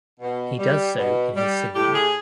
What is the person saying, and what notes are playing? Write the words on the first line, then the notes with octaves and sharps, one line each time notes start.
He does so in his singing.
B2
G3
B2
G3
A2 G4
G#4